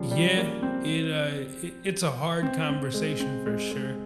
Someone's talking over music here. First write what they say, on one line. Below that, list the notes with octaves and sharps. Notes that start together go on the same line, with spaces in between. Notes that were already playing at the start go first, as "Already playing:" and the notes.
Yeah. It, uh, i it's a hard conversation for sure.
Already playing: C#3 F3 G3
G3
A#3
C4
C4
C4
G#3
C4
G#3
G#3